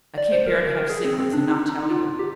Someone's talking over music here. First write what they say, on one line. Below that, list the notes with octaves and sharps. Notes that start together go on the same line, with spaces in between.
"I can't bear to have secrets and not tell you."
D5
C5
A#4
A#4
G#4
C4
C4
D4
D#4
D#4
F4
G4